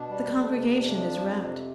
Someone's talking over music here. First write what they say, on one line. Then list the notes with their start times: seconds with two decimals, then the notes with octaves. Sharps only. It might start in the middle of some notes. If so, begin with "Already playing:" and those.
The congregation is rapt.'
Already playing: B2 D4
0.09 G3
0.32 F2
0.52 C3
0.74 F2
0.96 F3
1.18 F2
1.39 C3